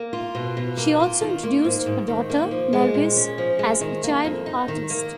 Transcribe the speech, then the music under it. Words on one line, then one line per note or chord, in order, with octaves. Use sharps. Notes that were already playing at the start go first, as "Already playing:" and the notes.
She also introduced her daughter Nargis as a child artist.
Already playing: A#3
F4
B2
B2
A#3
F4
D#3
A#3
G#2
G#2
D#3
A#3
F3
G#3
A#2
C#4
F3
G#3
D#3
A#3
F2
D#4
D#3
A#3